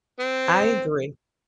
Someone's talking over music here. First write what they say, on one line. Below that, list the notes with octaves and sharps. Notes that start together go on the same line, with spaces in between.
I agree.
C4